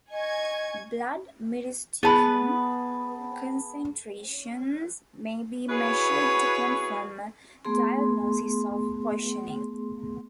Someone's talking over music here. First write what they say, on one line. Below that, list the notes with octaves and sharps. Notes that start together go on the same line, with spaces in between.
Blood myristicin concentrations may be measured to confirm a diagnosis of poisoning.
D#5 G#5 C#6 G#6
B3 G#4 B4 A5 B5
E4 F#4 G#4 B4 C#5
A3 B3 G#4 C6